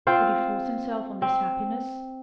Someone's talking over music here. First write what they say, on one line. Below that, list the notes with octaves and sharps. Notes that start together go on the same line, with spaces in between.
Should he force himself on this happiness?
C4 F4 C5
C4